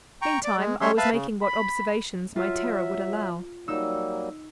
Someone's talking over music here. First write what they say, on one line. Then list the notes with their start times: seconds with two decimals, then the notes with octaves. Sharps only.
Meantime I was making what observations my terror would allow.
0.22 G5 A#5 C#6
0.44 D5
0.57 G#3
0.81 G3 G#3 C#4 C#5 E5 C6
0.97 B4 E5 F5 A5 B5
1.13 C#3
1.41 B5
2.36 F#3 F4 E5
3.68 F#3 G3 A#3 D#4 E6